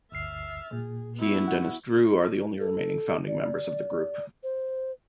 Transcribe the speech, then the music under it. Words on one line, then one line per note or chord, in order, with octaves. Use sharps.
He and Dennis Drew are the only remaining founding members of the group.
G1 D2 E5 F6 A6 C7
A#2 G#4
B3 E4 F#4
F#5
A4
D5
C5